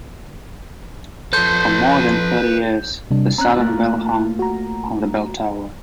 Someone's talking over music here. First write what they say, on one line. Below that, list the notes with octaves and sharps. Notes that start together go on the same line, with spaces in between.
For more than thirty years, the silent bell hung on the bell tower.
F3 A4 B4 C6 G6
C3 G3 D4
C4 C#4 A#5 F#6
A3 A#3 F4
F#4 A#5